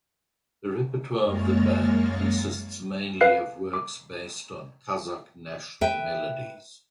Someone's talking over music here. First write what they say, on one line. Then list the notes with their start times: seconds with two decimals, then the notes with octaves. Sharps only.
The repertoire of the band consists mainly of works based on Kazakh national melodies.
1.24 F#2 G#3 A#3 C#5 F6 A6
3.21 B4 F5 F#6 C7
3.74 D6
5.81 B4 E5 G5